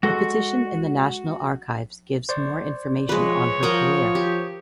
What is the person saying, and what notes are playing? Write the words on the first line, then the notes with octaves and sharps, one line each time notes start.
A petition in The National Archives gives more information on her career.
G#3 F#4 A4 C6
C5 D5
F3 G#3 B4 C#5
F3 A#4 F#5 G5 D#6
G4